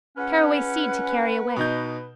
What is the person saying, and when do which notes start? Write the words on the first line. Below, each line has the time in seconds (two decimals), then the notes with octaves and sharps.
Caraway seed to carry away.
0.17 C#2 C#4 B4 F#5
1.56 B2 D#4 G6